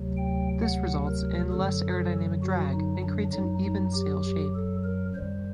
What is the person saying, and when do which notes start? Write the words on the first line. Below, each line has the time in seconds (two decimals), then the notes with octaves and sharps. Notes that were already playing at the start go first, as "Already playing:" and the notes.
This results in less aerodynamic drag and creates an even sail shape.
Already playing: D2 C3 F#3
0.17 G5
0.62 F#5
1.08 A#4
1.52 F#2 D3 F#3 A4
2.43 F#4
2.73 D#4
3.03 D4
3.33 F#2 F#3 D#4
3.64 D#4
3.94 G4
4.25 G4
4.55 A4
4.84 A#4
5.15 F#2 D#3 G3 C5